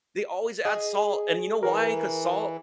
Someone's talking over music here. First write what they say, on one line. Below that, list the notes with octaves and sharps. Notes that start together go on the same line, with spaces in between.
they always add salt. And you know why? 'Cause salt
G#4 D#5
E3 A#4